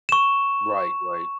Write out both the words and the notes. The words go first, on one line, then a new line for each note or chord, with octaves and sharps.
Right, right.
C#6 E7